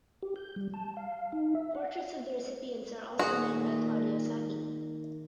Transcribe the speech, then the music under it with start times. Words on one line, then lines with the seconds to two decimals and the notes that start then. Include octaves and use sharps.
Portraits of the recipients are also made by Claudio Sacchi.
0.23 G4
0.36 G6
0.56 G3
0.74 A5
0.97 F5
1.32 D#4
1.55 E5
1.75 F#5
3.19 A#2 D#3 F#4 G#4 F#5 A#5